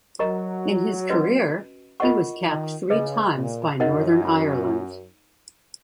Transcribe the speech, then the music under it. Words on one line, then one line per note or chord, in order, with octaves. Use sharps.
In his career, he was capped three times by Northern Ireland.
F#3 A#4 D#5 A#5 C#6
C#4 F#4 B4 D#5
F4 A#4 D#5 F#5 C#6
D#3
C#3 G#4 B4 D#5
A#2
F#2 D#4 A#4 D#5 F#5